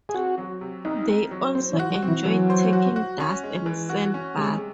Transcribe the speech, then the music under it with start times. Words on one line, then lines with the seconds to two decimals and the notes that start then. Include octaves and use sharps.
They also enjoy taking dust and sand baths.
0.09 G#4
0.14 C4 F#4
0.38 F#3
0.61 C3
0.85 C2 D#4
1.09 C4
1.31 F#3
1.55 C4 C5
1.73 E3
1.79 F#4
1.90 F#3
2.02 C4
2.08 E3
2.25 E3 F#3
2.50 C5
2.73 F#4
2.96 F#4
3.20 C#4
3.44 G#3
3.66 E3
3.89 F#4
4.14 C#4
4.37 C3 G#3